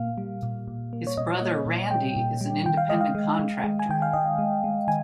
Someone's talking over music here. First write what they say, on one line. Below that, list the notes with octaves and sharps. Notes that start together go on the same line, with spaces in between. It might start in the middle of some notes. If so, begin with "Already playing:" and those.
His brother, Randy, is an independent contractor.
Already playing: A#2 A#3 F5
G3
A#2
A#2
A#3
C#5
A#2 D#5
A#3
A#2
G3 G5
A#2
G3
D#3 G5
F5
G#3 D#5
F5
G#3
G#3
G#3
G#5
D#3 G5
F5
D#3 D#5
G#3
G#3
D#3 G#5